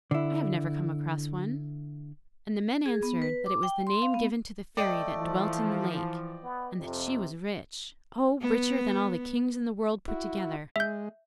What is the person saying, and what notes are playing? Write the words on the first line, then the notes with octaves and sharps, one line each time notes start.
'I have never come across one.' And the men answered that it was the name given to the fairy that dwelt in the lake, and that she was rich--oh! richer than all the kings in the world put together.
D3 E4
G#4
B3
B4
D6
G5
C6
F5
B3
A3 D5 D#5 G5
E3 F3
B3
F2 C3
B3
E4 F#4
G#3 E5 G6